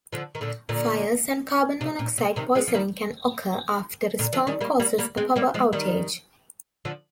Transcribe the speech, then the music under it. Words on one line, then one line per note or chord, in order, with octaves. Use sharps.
Fires and carbon monoxide poisoning can occur after a storm causes a power outage.
D3 F3
D#3
A#2 D3
A#2 D3
C3
A#2
C3
C3 D#3
F3 G#3
F3
D#3 G3
A#2 D3
D3 F3
D#3 G3
G3 A#3
G3 A#3
G3 A#3
G#3 C4
G3 A#3
F3 G#3
D#3 G3
D3 F3